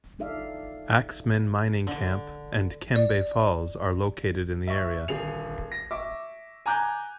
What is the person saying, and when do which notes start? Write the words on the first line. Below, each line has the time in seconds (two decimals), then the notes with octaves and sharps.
Axmin Mining Camp and Kembe Falls are located in the area.
0.19 D4 D#4 A4 D5 E5 F5
1.87 D3
2.96 D5
4.67 E5 C#6
5.08 D#1 D3 G#4 F7
5.72 A#6
5.91 E5 C#6 D6
6.66 G#5 A#5 D6 F#6 G6